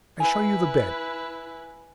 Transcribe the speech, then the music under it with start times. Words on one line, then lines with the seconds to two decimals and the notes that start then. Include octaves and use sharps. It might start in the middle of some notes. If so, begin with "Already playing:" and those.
I show you the bed.
0.20 E4 B4 G#5